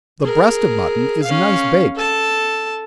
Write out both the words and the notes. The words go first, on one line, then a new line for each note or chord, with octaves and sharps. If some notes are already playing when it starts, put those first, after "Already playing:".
The breast of mutton is nice baked.
G#4 A#4
C#4 F5
A4 A5